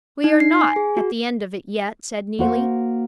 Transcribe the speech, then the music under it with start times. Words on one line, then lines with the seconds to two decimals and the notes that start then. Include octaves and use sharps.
"We are not at the end of it yet," said Neelie.
0.24 D#4
0.40 C7
0.61 G#5
0.76 G#4
0.97 F#4
2.39 A#3 F#4 C5